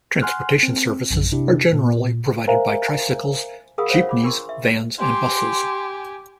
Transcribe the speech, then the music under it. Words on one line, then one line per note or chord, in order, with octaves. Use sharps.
Transportation services are generally provided by tricycles, jeepneys, vans and buses.
F#5 G#5 C6 F6 F#6
C4
A#1 F#2
C3 D4 E4 G4
A#2
A#4 C5 E5 F5 G#5 A#5
G#4 A#4 F5 F#5 B5 D#6
C5 C#5 F5 F#5
F4 B5 D6
D4 F4 A#4 C6 C#6
E5
G4 G#5 C6